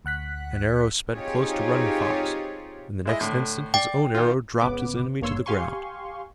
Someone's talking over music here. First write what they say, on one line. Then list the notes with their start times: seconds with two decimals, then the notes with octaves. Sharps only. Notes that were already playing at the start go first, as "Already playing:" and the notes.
An arrow sped close to Running Fox, and the next instant his own arrow dropped his enemy to the ground.
0.05 D2 F#5 F#6 B6
1.13 C4 D#4 F4 G4 G#4 C#5
3.05 G#3 E4 D#5
3.21 A2 D3
3.74 D5 G5
4.15 D#3 F4
4.61 G#1 C#3 B3 B4 D6
5.21 G#1 G2 A#3 C#5 C6 E6
5.46 G4 F5 G#5 C6 C#6